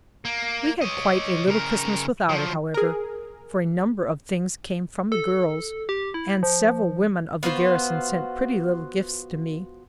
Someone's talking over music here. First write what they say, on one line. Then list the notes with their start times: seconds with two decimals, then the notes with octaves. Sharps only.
We had quite a little Christmas without it, however, for a number of things came from the girls, and several women of the garrison sent pretty little gifts to me.
0.25 A#3
0.81 C#5 D#5
1.47 C#3 A#4
2.29 F3 F#3
2.74 G#4 A#4
5.12 A4
5.89 G4
6.14 E4
6.43 F3
7.43 B3 F4 F#4 C5